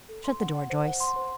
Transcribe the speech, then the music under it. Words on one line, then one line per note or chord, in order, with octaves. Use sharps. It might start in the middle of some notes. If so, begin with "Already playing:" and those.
"Shut the door, Joyce."
A4
C6
F#5
F#5
C5
F#5
C6
C5